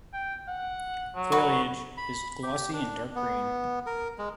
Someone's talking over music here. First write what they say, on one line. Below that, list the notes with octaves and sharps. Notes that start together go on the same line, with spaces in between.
Foliage is glossy and dark green.
G5
F#5
F#3
F#4 B4 C#6
B5
G4
D4
B3
A#4
G#3